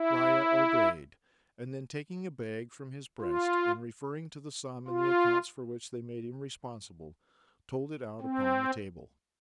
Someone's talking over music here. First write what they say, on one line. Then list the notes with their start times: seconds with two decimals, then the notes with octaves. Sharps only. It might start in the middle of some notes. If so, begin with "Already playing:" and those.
Riah obeyed, and then taking a bag from his breast, and referring to the sum in the accounts for which they made him responsible, told it out upon the table.
Already playing: E4
3.21 F4
4.88 F4
8.21 C4